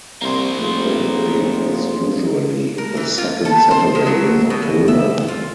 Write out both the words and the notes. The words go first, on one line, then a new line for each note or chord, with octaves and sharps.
The date is usually the second Saturday in October.
C2 A#3 C5
F1 A3 F4 G#4
A#4
E3
F4
A4
C5
D#3
F#3
B2
E5
F4